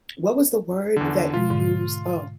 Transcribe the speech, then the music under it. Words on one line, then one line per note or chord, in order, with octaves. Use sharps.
what was the word that you used? Oh
E2 D3
B2 G#3 F4
G#2 D3